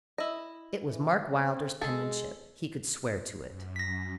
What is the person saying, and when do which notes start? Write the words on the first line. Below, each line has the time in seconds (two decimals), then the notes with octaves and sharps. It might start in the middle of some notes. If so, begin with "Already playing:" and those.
It was Mark Wylder's penmanship--he could swear to it.
0.18 E4 D#5
0.89 E3
1.29 C4
1.81 G#3 G#4 A4
3.44 F#2
3.76 A#6 B6